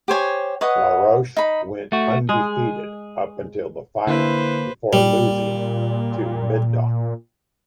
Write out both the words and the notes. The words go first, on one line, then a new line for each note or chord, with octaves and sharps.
Larouche went undefeated up until the final before losing to Middaugh.
G4 C5 C#5 G#5
B4 C#5 D#5 F#5
D#4 B5
A3 F#4
G#3 G#4
D3 A#3 E4 B4 C5
A#2 G3